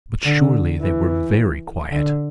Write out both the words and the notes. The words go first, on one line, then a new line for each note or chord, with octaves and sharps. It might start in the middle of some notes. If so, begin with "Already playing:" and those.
But surely they were very quiet!
D3
E3
D3